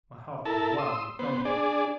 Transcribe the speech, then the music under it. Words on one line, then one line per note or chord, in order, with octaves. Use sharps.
My heart was wildly thumping.
E4 A4 A#4 A5
C6 D#6 E6
B3 C5
D4 G#4 D5